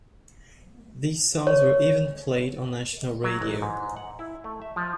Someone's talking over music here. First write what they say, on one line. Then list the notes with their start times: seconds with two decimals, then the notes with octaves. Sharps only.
These songs were even played on national radio.
1.47 C#5
3.24 F#3
3.41 A1
3.62 G#2
3.97 F#5
4.19 E4
4.44 A3
4.62 E5
4.76 F3